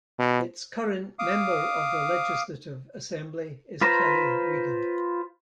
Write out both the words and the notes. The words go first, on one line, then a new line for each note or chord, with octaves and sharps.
Its current Member of the Legislative Assembly is Kelly Regan.
B2
F5 D6 D#6
F4 B4 C5 A#5